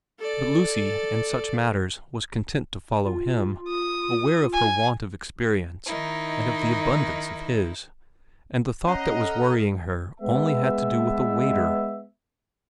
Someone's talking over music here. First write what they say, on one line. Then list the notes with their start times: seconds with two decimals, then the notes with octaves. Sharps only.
But Lucy in such matters was content to follow him, aware of her want of experience and of the abundance of his, and the thought that was worrying her only had to do with a waiter.
0.20 A4 D5
3.06 F4
3.69 D#6
4.53 G#5
5.85 D#3 D#4 E4
8.87 C#4 C#5 D#5 F#5 A#5 C7
9.21 A4 F6
10.21 G#3 B3 E5